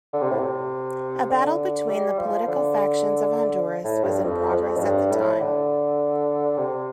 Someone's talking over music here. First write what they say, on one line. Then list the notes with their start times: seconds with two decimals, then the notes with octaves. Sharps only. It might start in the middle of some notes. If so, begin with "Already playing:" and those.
A battle between the political factions of Honduras was in progress at the time.
0.13 D3
0.22 C3
0.31 A2
0.39 C3
1.30 D3
1.89 G3
2.19 F3
2.47 D3
3.84 A2
4.03 G2
4.23 F2
4.53 F2
4.77 A2
4.82 G2
5.11 A2
5.40 D3
6.58 C3